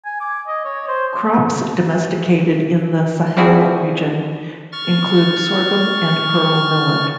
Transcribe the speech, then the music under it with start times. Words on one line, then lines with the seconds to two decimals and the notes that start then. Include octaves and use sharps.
Crops domesticated in the Sahel region include sorghum and pearl millet.
0.05 G#5
0.21 D6
0.47 D#5
0.65 C#5
0.88 C5
3.37 G3 C4 E4 F#4 G#4
4.72 C#6 F6 A6